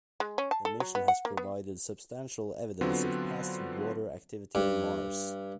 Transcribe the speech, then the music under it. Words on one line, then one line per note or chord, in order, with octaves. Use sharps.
The mission has provided substantial evidence of past water activity on Mars.
G#3
C#4
A5
A4
F#3
B3
F#5
A#3
B3
D3 F#3 B3 C4 F4
G2